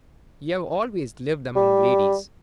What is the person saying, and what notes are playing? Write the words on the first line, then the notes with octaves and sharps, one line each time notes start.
You have always lived among ladies.
G3